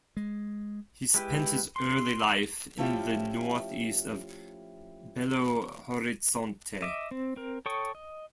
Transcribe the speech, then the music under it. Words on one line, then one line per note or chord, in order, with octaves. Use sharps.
He spent his early life in the northeast of Belo Horizonte.
G#3
G#3 E4 G4 B4
C6
F3 A3 C#4 E4 F4 G4
D#5 E5 D6
C4
C4 A#4
A4 C#5 G5 C#6 D#6
D#5